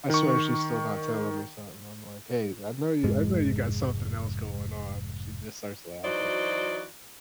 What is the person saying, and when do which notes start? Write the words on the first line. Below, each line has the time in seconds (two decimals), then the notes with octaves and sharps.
I swear she's still not telling me something. I'm like, "Hey, I know you I know you got something else going on." But she just starts laughing.
0.10 D#3 C#6
3.04 F1 G#2 G#3
6.04 E3 F#3 D#4 F#4 C5 D5